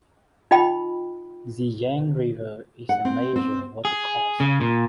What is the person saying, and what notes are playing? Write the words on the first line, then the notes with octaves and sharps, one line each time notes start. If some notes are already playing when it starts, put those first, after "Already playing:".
The Yang River is the major watercourse.
D#4 F4 D#5 G5 B5
F#5
C4
C4
G#4
C#3
A#2